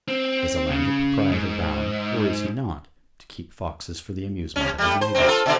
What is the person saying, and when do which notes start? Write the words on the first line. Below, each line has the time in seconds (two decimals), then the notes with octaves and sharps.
Is a landed proprietor bound, or is he not, to keep foxes for the amusement of his neighbours?
0.08 C4
0.71 C#3
1.32 G#2
4.56 C3 C#4
4.78 G3 A3
5.01 C5
5.15 G2 B2 C4
5.27 F4 A4
5.46 B2 D3